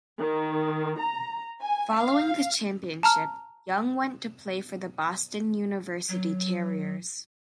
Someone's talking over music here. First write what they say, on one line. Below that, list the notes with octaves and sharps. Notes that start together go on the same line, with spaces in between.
Following the championship Young went to play for the Boston University Terriers.
D#3
A#5
G#5
F5
A5 A#5 F6
F#3